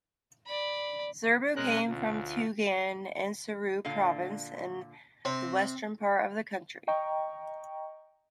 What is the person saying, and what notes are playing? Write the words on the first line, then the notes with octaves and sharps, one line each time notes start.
Zerbo came from Tougan in Sourou Province in the western part of the country.
D5 B5
B2 G#3 C#4 A#4 F#6
D2 F4
A#2 D3 F5
C3 C4
D#5 G5 A#5 C#6